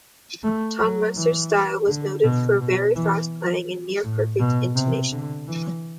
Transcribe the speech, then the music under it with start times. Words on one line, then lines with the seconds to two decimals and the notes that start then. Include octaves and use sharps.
Ton Masseurs' style was noted for very fast playing and near-perfect intonation.
0.44 A3
0.81 F#3
1.16 E3
1.88 D3
2.24 B2
2.60 B2
2.96 E3
4.04 A2
4.40 B2
4.76 C3
5.12 D3
5.48 E3